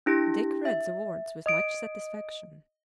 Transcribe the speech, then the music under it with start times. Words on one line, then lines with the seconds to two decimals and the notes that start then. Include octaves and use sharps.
Dick read the words with much satisfaction.
0.06 D4 E4 G4 A#6
0.65 E5
1.46 D#5 D#6 D7